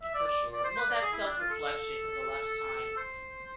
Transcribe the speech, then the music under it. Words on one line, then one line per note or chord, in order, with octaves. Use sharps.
For sure. Well, that's self-reflection 'cause a lotta times
E5
D5
D5
D5
C5
B4
D5
G#4
E4
D4
F4
A4
C5